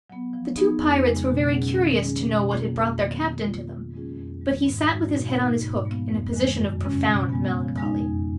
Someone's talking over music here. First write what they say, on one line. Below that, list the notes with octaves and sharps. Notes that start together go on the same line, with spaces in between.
The two pirates were very curious to know what had brought their captain to them, but he sat with his head on his hook in a position of profound melancholy.
F#3 B3
F3
B3 D#4 G#4
F2
C#3 G#3
B2
F#3 C#4 G#4
D#3
G#3 C#4 G#4
B2
A#3 F4 G#4
F2
D#3 F#3 B3
F3
A#3 F4
F3
G#3 C#4 F4 G#4
F2
D#3 G#3
G#2
F3 G#3 D#4 F#4
B2
A#3 D#4
G#2
F3 G#3 B3
F2
D#3 G#3
F#2
C#3 G#3 C#4
B2
G#3 B3
F3
G#3
D#4
F2